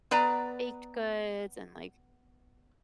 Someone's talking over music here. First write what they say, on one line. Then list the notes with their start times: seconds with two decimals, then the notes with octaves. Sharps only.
baked goods and, like,
0.11 B3 B4 D5 A#5